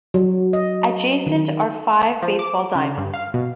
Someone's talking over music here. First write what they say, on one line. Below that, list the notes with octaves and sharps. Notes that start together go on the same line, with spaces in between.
Adjacent are five baseball diamonds.
F#3
D#5
D#3
F3
D6
C#3
G2
F5
B2